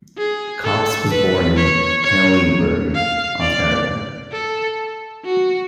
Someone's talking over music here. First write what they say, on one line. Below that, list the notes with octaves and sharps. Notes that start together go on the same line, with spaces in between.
Copps was born in Haileybury, Ontario.
G#4
A4
B4
C#5
C#5
F5
D5
A4
F#4